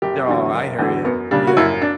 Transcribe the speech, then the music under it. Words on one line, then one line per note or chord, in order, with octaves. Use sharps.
Oh, I hear you, yeah.
F#1 G4
E2 D3 F#3
F#1
E2 D3 F#3
F#2 B3
C#3 G3 A#3 D4
F#4
F#2 E4
D4